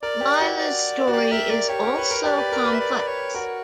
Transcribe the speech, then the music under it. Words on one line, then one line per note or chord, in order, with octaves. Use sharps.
Leila's story is also complex.
A#4 D5
G4
F#4
D5
F#4
G4 D5
A#4 E5
A#4 D5
G4 C#5
A#4
B4
A#4
G4 D5
B4
A#4
B4
E5
D5
C#5
F#4 A#4